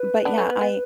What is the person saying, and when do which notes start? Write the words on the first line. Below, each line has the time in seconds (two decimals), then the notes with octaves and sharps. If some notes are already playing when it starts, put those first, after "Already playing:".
but yeah I
Already playing: B4
0.25 B3 D4
0.38 A3 C#4
0.49 B3
0.61 B3